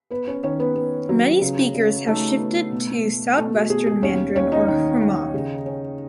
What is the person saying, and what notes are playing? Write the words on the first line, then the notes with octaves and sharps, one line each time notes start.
Many speakers have shifted to Southwestern Mandarin or Hmong.
B3 B4
C#4 C#5
D#3 C#4 C#5
B3 B4
B3
F#3
C#3
C#3
A3 D#4 A4
B3
B2
A3
B2 A3 A4
F#4
B2 G#4
G#4
D#2 C#4 C#5
D#2 C#4 C#5
D#4 D#5
D#3
D#3
C#3
C#4